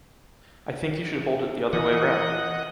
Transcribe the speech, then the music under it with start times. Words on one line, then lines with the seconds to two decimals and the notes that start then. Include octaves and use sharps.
I think you should hold it the other way round.
1.73 E3 D#5 F#5